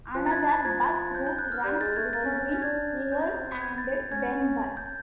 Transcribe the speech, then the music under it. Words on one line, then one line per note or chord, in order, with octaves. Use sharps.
Another bus route runs between Rhyl and Denbigh.
F3 F#6
A6
G#6
A6
F3 G#6
G6
G6
F#6
F6
G3 G6
G#3 A6
A3 G#6
A#3 A6
C#4
C#4
C#4
D4 G#6
C4 G6
G#6
A6
C#4 G#6
G6